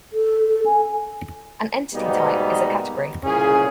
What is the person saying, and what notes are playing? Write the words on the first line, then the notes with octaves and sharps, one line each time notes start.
An entity-type is a category.
A4
A4
G#5
G#2 B2 G3 A#3 B3 D#4
C2 A#2 C#3 C#4 G#4